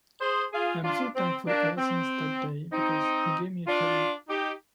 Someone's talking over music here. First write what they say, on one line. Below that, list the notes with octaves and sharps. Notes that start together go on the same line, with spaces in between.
I'm so thankful ever since that day because he gave me a career.
G#4 C5
F4 G#4
D4 F4
C4
A#3 D4
C4
C4 D#4
D4 F4
D#4 G4